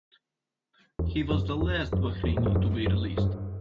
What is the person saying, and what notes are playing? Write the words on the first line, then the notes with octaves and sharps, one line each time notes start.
He was the last Bahraini to be released.
E2
F#2
E2
F#2
E2
A#2
G2
F#2
F#2
G2